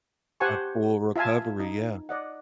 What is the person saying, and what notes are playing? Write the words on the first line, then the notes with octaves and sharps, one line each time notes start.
A full recovery, yeah.
G4 C5 F#5 G#5 A5 C#6
F4 E5 F5 G#5 A5
D#4
D5 D#5 F#5